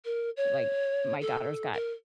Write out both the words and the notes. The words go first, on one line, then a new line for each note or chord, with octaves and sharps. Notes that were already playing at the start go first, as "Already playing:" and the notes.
Like, my daughter's got
A#4
C#5
A4
A#4